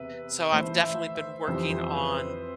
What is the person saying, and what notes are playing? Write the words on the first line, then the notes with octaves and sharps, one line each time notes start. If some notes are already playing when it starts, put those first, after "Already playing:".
So I've definitely been working on
Already playing: E2 C3 B4 E5
E3 A3 E4 C5
E5
E5
F2 E3 G3 C5
C5
B4
C5